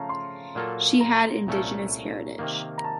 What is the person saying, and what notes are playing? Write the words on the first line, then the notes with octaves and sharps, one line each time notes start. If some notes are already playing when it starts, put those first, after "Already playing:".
She has indigenous heritage.
Already playing: C#3 F3 A3 C#4 F5 A5 A#5
C6
A#2 F#3 A#3 F4 A4
A#5
C2 A#2 A3 C#4 A4
C3 D#3 A#3
A#5
A5